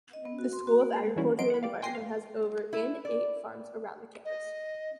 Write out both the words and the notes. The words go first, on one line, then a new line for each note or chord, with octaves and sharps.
The school of Agriculture and Environment has over in eight farms around the campus.
D#5
B3
F#4
C6
F#4
A#3
G#3
E3 F#3 G3 C#4 E4 F#4
E3 F#3 B3 D#5 C6 D7
F#5 B5
G4 D5 F5
G5 G#5 C6 A#6 C7
F5
E4
D5
D#5